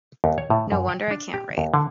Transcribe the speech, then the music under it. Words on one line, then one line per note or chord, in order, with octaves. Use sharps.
No wonder I can't write!
D#2
C#5
A2
F#2
G5
D4
G4
D#2
D3